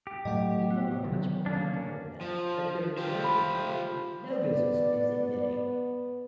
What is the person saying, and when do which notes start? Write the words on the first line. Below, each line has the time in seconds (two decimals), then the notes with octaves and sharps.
people are much more comfortable with that, but there are no bu no no business is admitting
0.07 G4
0.25 A2 F#3 A3 D#5 F#5
0.70 B3
1.04 D3 D#3 F#3
1.46 A#3 C#4 D4
2.21 F3
2.97 F4 G4 C5
3.24 B5
4.28 B3 D5